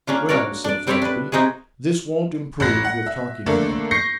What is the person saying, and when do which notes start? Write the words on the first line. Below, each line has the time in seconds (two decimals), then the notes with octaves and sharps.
'Well!' said Fledgeby. 'This won't improve with talking about.
0.07 A#3 C#4 D4 F4
0.29 D4 F#4 A#4 C#5 D5
0.64 D4 D5
0.87 G3 C4 A4 C#5 D5 E5
1.02 D4 B4
1.32 C3 C4 D#4 F#4 G#4
2.60 A1 F#6 A#6
2.85 F#5
3.06 E5
3.46 D3 A3 A#3 D4 A4
3.91 C#6 G6 A#6 C7 C#7